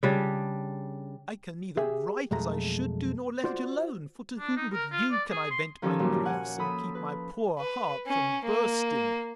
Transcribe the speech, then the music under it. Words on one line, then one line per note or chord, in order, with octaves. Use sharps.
I can neither write as I should do, nor let it alone, for to whom but you can I vent my griefs, and keep my poor heart from bursting!
C#3 G3 D4
G4 G#4 E5
B1 F2 G#3 A3 A#5
F4 F#4 C5 D5
D4
D#4
A#4
F4
D5
G#4
C6
D#3 F3 C#4 G4 A4 A#4
F#2 A#2 G3
G2 F3
C#5 F#5 G#5
F3 A4 B5 D#6
B4
B4
C#4
A#3